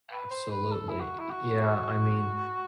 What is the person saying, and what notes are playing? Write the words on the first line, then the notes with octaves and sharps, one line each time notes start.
Absolutely, y yeah, I mean,
B4
C5
B4
A4
E4
F#4
E4
F#4